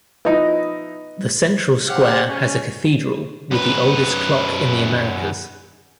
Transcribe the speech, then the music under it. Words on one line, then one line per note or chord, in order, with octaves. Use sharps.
The central square has a cathedral with the oldest clock in the Americas.
F3 D#4 E4 B4 D#5
G4 C5 F5 F#5
C#4
F#2 B4